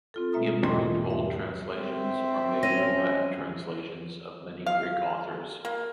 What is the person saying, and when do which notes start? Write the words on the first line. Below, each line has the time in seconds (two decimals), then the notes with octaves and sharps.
He improved old translations, or made new Latin translations, of many Greek authors.
0.14 C4 F4 A4
0.33 B2 G#3 A#3 E5 A#5 D#6
0.63 E2 G#2 E3 D#5 G5 C6
1.10 E5
1.75 C4 E5
2.63 C#4 A#6 D#7
4.66 F5
5.65 A#3